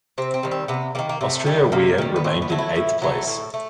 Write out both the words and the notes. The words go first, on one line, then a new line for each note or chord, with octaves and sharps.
Austria Wien remained in eighth place.
C3 C4
C4
D#3 G3
C4
C3 B3
D#3 G3 A#3
A#3
C3 A3
D#3 G3
C3 A#3
D#3 G3
B3
A2 C4
B3
F#3 A3
E4
A2
F#3 A3
A2
A3